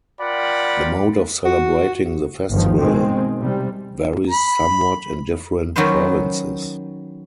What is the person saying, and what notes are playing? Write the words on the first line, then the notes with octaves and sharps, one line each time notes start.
The mode of celebrating the festival varies somewhat in different provinces.
F4 A#4 D5 F#5 G5 B5
F#4
G1 D2 D#3 F3
B2 D#3 G#3 C4
C3 G3
B5
D#3 F#3 C#4 D#4 B4 C5